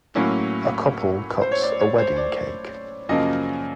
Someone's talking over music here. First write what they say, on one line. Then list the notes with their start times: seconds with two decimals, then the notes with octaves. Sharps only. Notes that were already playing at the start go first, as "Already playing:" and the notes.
A couple cuts a wedding cake.
0.15 A2 F#3 A#3 C#4 E4
1.42 C5
1.52 C#5
1.62 D5
1.81 C#5
1.98 C5
2.17 D5
3.09 F#2 C#3 F3 A#3 D#5